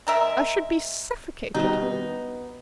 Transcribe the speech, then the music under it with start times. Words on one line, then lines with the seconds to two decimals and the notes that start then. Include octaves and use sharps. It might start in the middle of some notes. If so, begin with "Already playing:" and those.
I should be suffocated.
0.07 G#3 A#4 E5
1.55 B2 D#3 G3 D#4
1.82 B3